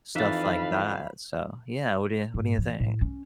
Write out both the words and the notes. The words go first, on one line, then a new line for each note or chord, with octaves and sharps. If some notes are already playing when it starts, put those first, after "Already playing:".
stuff like that, so Yeah, what do you what do you think?
F2 E3 D#4 B4 E5 F5 B5 A6
G#2
E3
A2
C#4